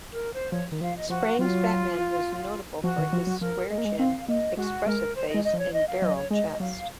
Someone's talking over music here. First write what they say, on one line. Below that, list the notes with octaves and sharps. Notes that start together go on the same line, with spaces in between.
Sprang's Batman was notable for his square chin, expressive face and barrel chest.
A#4
C5
F3 C#5
D#3
F3 F5
D#5
F3 F#4
F#3 F4
F3 F#4
D#3
F3
F#3
F3 A#4
G#3 D#5
A#3
G#3
C4 F5
A#3 D#5
G#3 F#4
G#3 A#4
C5
D#5
G#3
D#5
F3
C#5
D#5
F5
F#3 D#5
C#5
G#3 D#5
F#3 F5